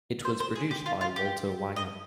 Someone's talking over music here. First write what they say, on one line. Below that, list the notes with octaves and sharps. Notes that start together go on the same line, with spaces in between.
It was produced by Walter Wanger.
C5
C5
G#4
G4
F4
F4
G4
D#5